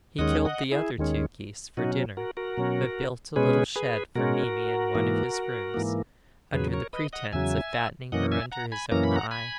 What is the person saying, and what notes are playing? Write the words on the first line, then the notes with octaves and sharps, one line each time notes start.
He killed the other two geese for dinner, but built a little shed for Mimi in one of his rooms, under the pretence of fattening her under his own eye.
D#2 D#3 G#3 C#4 D#5 F#5
D#5 F#5
E4 G#4
D#2 D#3 G#3 C#4
B2 F#3 C#4 D#4 F#4
F#4 A#4
F#4 A#4
B2 F#3 C#4
B2 G#3 C#4 G#4 B4
G#4 B4
B2 G#3 C#4 F#4 A#4
G#2 E3 A#3
G#2 E3 A#3
E2 C#3 F#3 G#4 B4
A#4 C#5
B4 D#5
D#5 F#5
E2 C#3 F#3 E5 G#5
F#2 E3 A#3 C#4 D#5 F#5
E5 G#5
F#5 A#5
G#5 B5
F#2 E3 A#3 C#4 A#5
B5
F#5 A#5
G#5 B5